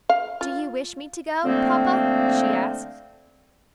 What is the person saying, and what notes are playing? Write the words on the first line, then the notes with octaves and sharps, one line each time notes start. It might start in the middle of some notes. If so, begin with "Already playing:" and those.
"Do you wish me to go, papa?" she asked.
F5
F4
D3 F3 A3 A#3 C4